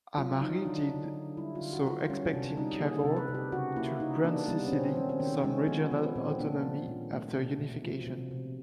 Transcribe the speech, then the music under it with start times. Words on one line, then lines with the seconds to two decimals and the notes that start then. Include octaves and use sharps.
Amari did so expecting Cavour to grant Sicily some regional autonomy after unification.
0.18 F#3 F4
0.41 F#3 D#4
0.65 D3 D4
0.89 D3
1.14 D3
1.37 G3 E4
1.55 F4
1.61 D3
1.73 F#4
1.85 D3
1.91 F4
2.09 G3 C#4
2.33 C3 D4
2.57 G3 D#4
2.80 A#3 G#4
2.99 A4
3.04 C3
3.17 B4
3.29 C3
3.34 G4
3.52 C#3 F#4
3.76 A#3 E4
4.00 C#3 D#4
4.24 A#3 D4
4.48 G3 B3
4.67 C#4
4.72 B2 C4
4.89 C4
4.96 D#3 C#4
5.09 C4
5.20 D#3 C#4
5.44 G#3 C#4
5.67 F3 B3
5.92 F3 B3
6.16 A#2 C4
6.39 A#3 D4
6.63 F3
6.88 A#2
7.11 A3
7.35 B2
7.59 B2
7.83 F3
8.07 C3
8.31 C3